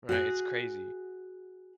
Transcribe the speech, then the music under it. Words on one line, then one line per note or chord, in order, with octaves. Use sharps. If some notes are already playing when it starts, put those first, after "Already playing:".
Right, it's crazy.
F#4 G#4